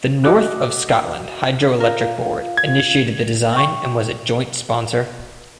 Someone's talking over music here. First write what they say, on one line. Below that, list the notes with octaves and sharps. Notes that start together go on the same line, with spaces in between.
The North of Scotland Hydro-Electric Board initiated the design and was a joint sponsor.
F#4 D#5 D6 E6 F#6
F4 A#4 F5
G#6
E5 G5 C#6